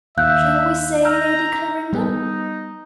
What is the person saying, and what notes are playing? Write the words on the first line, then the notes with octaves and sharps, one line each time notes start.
Shall we say Lady Clarinda?
D#2 E5 F5 F#6 G6
A#5 E6 F6 G6
G3 B3 D#4